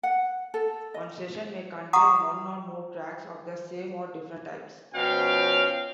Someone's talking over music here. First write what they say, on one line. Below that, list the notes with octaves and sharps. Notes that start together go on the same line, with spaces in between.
One "session" may contain one or more tracks of the same or different types.
F#5
A4
D#5
F#5 A#5 C#6 D#6
B2 F3 C#4 C#5 F5 G5